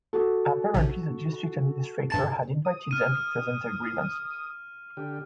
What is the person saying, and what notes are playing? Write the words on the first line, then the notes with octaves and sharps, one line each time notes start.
Apparently the district administrator had invited them to present their grievances.
F#4 A4
A#1 C3
G2 A5 A6
D#6
F6 D#7
D3 G4